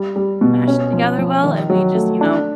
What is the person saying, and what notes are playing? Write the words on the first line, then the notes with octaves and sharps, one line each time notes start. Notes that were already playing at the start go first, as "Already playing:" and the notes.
mesh together well, and we just you know,
Already playing: G3
G3
B2
C#4
F3
F3
D#3
F#3
A3
D4